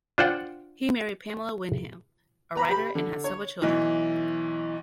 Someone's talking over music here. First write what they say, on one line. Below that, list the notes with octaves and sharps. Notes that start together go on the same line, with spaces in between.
He married Pamela Wyndham, a writer, and had several children.
D4 F4 C5 D5 F#5 G5
B4 A#5 B5
G4 B5
D3
C#5
B1 E3